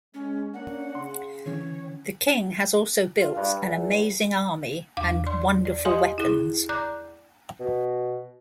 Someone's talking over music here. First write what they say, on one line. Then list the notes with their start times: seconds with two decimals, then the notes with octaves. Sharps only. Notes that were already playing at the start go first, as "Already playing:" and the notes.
The king has also built "an amazing army" and "wonderful weapons".
0.14 G#3 C#4
0.54 A#3 C#4 D4 F#5
0.95 C#3 C6
1.46 D3 E3 C#4 C#5
3.20 F4
3.36 G2
3.63 E2
4.97 E2 F5 D6
5.26 D5 C6
5.65 D5
5.85 G4 D#5 F5 G#5 C6 D#6
6.18 E4 G#4
6.69 D5 A#5 D6 F#6 G6
7.60 B2